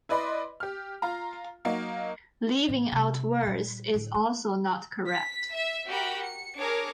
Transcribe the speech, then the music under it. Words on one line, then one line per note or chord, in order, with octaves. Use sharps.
Leaving out words is also not correct.
E4 B4 D5 D#5 B5 C6
G4 F6
F4 F5 A#5
F#3 A#3 D#4
A2 E3
C3 G3
A#2 G3
A2 D3
A3
B6
E5
F#4 G4 A#4 F#5 B5
C#7
D4 G#4 A#4 C#5 D6